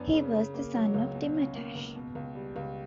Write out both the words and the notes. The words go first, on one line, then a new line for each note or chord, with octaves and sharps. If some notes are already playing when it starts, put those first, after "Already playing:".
He was the son of Timurtash.
Already playing: F#2 F#3 B3 D4
C#3
C#3
A#3
F#3
C#2
B2
C#4
A#3
C#2
B2
C#2
G3
C#2